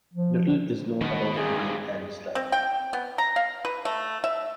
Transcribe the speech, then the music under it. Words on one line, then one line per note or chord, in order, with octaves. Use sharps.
Little is known about Blind Harry's life.
F3
B2 D#3 B3
G2 C3 G#4
C4
G5
B3
A#5
F5
B4
A3
E5